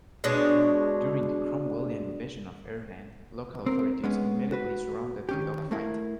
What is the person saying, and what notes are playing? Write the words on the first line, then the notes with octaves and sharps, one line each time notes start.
During the Cromwellian invasion of Ireland, local authorities immediately surrendered without a fight.
B2 G#3 D4 C#5
C4 A#4
G#3 B3 C#4
F#4 B4
D#3 C#4 G4
A3 A#3 E4